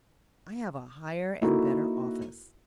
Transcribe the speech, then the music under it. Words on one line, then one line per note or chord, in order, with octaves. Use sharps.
I have a higher and better office.
A#3 D#4 E4 F#4 A4 A#4